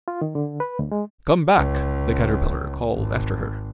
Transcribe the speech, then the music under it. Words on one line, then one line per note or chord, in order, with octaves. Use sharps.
'Come back!' the Caterpillar called after her.
F4
D#3
D3
B4
D2
G#3
C#2
G#1